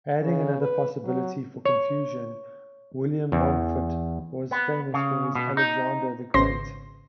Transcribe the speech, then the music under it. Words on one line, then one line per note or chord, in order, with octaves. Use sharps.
Adding another possibility for confusion, William Mountfort was famous for his Alexander the Great.
C#3
B4
F#3
C#5
E2
B3
C#3
B2
D#4
G#1 C#3 C5 C6 A#6